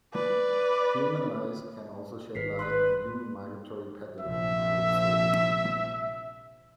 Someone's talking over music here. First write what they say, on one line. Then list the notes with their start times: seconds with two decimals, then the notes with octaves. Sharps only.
Human lice can also shed light on human migratory patterns in pre-history.
0.13 B4 D5
2.35 G#1 B4 B6 C7
2.59 B4 C6
4.20 A#1 C3 F3 E5